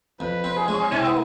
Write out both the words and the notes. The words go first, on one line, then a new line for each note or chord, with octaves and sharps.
Oh, no!
F2 B4
C4
G#4
G#3
C3 E4